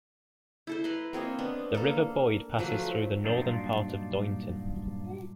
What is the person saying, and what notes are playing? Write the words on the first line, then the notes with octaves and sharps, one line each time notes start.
The River Boyd passes through the northern part of Doynton.
E4 A4 C5
B4 A#5 C6
A#3 C4 C#5 D#5
B3 D4
A#3 A4
F3 F#3 A3 B4
G2 A#2 F#3 D4 D#4 F4